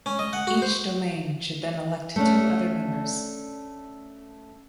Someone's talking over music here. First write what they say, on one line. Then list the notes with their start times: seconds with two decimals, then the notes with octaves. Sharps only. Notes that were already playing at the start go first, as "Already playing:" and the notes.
Each domain should then elect two other members.
0.06 C#4
0.19 D#5
0.33 F#5
0.47 F#4
0.62 C5
2.16 A3 C#4 D4